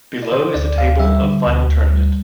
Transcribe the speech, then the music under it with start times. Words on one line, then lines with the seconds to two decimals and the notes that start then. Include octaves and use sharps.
Below is the table of Final tournament.
0.23 D5
0.32 D3 C5
0.54 D2 D5
0.77 D2 F5
0.99 G3 E5
1.23 D3
1.46 D2
1.68 D2
1.91 G3